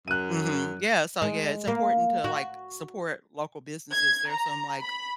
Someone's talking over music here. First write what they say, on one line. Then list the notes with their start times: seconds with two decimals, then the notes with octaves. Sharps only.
Mhm, yeah, so yeah, it's important to, like, support local businesses. There's some, like,
0.08 F#2 F#6 D#7
1.22 G#3
1.68 A#3
2.24 F#4
3.91 G#6
4.30 A#5
4.82 B5